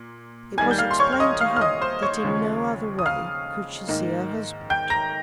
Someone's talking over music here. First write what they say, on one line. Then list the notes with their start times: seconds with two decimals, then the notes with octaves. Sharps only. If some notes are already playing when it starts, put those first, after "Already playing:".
It was explained to her that in no other way could she see her husband.
Already playing: A#2
0.58 D#2 D#3 G3 A#3 G#5 G#6
0.71 G6
0.78 F5 F6
0.91 C6
0.99 C#5 C#6
1.12 F6
1.20 D#5 D#6
1.40 F5 F6
1.56 F6
1.61 D#5 D#6
1.82 C5 C6
2.02 C#5 C#6
2.23 D#2 C#3 F3 G#3
2.99 D#6
3.06 F5 F6
3.88 G#2 D#3 A#3
4.70 G5 G6
4.90 A#5 A#6